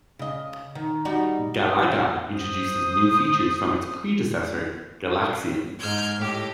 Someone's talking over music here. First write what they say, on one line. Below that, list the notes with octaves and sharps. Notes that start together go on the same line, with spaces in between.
"Galaga" introduces new features from its predecessor, "Galaxian".
C#3 D#5
D#3
G3 D#4 F#4
C5 D#6
G#2 F6 G6 G#6
A2 G4